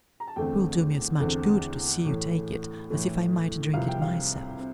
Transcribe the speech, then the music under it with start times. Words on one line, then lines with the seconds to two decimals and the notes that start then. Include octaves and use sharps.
It will do me as much good to see you take it as if I might drink it myself.'
0.20 A#5
0.27 A5
0.36 E2 D3 A3 C4 G5
1.20 E2 D3 A3 C4
2.05 A2 E3 A3
2.90 A2 E3 A3
3.74 C2 C3 F3 C4 F5
3.88 G5
4.02 F5
4.58 C4